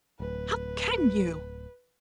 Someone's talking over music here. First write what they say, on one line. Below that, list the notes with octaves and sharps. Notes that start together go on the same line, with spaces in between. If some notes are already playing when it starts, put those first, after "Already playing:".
How can you?
D1 B4